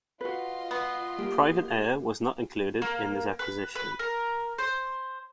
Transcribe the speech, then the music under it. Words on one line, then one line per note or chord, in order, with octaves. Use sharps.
"Private Air" was not included in this acquisition.
F4 F#4 B4 D#5 C6
B3
A#3 G4
A#3
B4
B4
A#4
C5